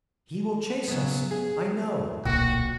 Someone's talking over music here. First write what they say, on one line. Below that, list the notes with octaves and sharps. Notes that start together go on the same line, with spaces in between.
He will chase us, I know.
C#3 F#3 B3
G#4
D1 B1 A#2 F#4 G5